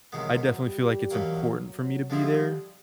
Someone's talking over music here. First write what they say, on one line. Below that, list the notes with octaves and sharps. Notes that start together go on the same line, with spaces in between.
I definitely feel like it's important for me to be there.
C2 C3 D#3 F#3 G#3 B3
G3
E2 B2 F#3 A#3
F#3
D3 F3 G3 G#3 C4 E4